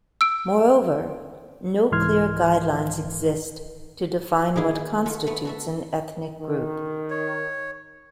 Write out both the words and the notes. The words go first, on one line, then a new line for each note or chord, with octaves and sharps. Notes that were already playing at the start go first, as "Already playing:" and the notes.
Moreover, no clear guidelines exist to define what constitutes an ethnic group.
E6 D7
C2 G#2 E3 C6 F6 G#6
D#3 A#3 D#4 E4 G#4
A3 F4 F#4
A3 B3
F#4 A4 E5
D#3
C#5